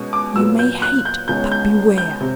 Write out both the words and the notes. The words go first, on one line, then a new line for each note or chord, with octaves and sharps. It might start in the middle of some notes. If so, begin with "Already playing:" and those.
You may hate, but beware!
Already playing: B2 G#3 C#4
D6
A#2 F#3 B3 E6
G6
F#6
G6
C#2 B2 G#3 C#4 G6
G6
G6
C3